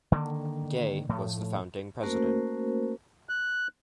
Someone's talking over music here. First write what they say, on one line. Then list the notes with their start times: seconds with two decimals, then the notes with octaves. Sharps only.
Gay was the founding president.
0.12 D3 D#3 A3 A#3
1.09 A2 F3 A3
2.03 A3 A#3 C#4 F#4 A#4 C5
3.29 F#6